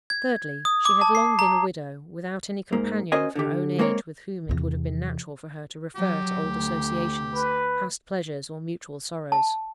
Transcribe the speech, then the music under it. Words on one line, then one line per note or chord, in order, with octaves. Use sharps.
Thirdly, she had long been a widow, without any companion of her own age with whom it would have been natural for her to refer to old associations, past pleasures, or mutual sorrows.
G#6
D#6
D6
A5
C7
A#5
G#2 A#3
C#4 F#4 A#4 C5 D#5 G#5
D3 G4
G#3 A#3 C4 A#4 C#5
E2 C3
F#3 G4
D2
B4
A5